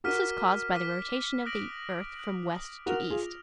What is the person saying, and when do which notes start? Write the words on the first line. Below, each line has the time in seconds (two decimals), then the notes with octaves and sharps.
This is caused by the rotation of the earth from west to east.
0.04 F#4 A#4 D6 F6 B6 D#7
0.74 D6 F6 B6 D#7
1.45 D#6 F#6 A#6 D7 F#7
2.16 D#6 F#6 A#6 D7 F#7
2.86 F#4 A#4 F6 A#6 F7
3.10 F4 G#4